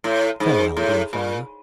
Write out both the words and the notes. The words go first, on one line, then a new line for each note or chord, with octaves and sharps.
Farewell, dear father!
A2
G#2
A2
A#2